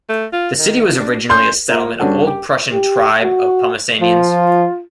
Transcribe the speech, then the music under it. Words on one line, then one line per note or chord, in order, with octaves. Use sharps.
The city was originally a settlement of Old Prussian tribe of Pomesanians.
A3
F4
D#3
D4
C#4 C6 G6
A#3 F4 A#4 E5
G2 C#4 D4 F#4 A4 F#5
G4
G4
F#4
F3 F4